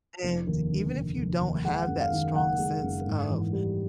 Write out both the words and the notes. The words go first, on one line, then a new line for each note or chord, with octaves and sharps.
And even if you don't have that strong sense of
F1
D#2
D3
F1
F1
D#2
G#3 F#5
F#2
F5
D#3
F#1 F#5
G#3
F#2
G#2
E3
G3